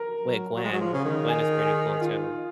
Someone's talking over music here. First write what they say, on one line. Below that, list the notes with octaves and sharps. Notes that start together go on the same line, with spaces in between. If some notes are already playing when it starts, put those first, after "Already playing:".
with Gwen. Gwen is pretty cool too.
Already playing: A#4
F#3
F#3
G#3
F#3
F3
C#3
D#3
G#4
G#4
F4